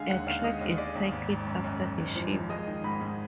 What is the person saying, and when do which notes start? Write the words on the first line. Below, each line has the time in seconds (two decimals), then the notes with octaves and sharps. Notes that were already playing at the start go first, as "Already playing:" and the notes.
A track is titled after the ship.
Already playing: D3 G#3 F5 G#5
0.09 D#2 F#5
0.27 D#2 F5
0.44 G#3 D#5
0.61 D#2
0.78 G#3 D5
0.95 D#2
1.12 G#1
1.29 G#1
1.47 F#2
1.64 F#2
1.81 F#2
1.98 G#1
2.16 F3
2.32 F3
2.49 G#3 D#5
2.67 D#3
2.84 G#2 B5
3.01 G#2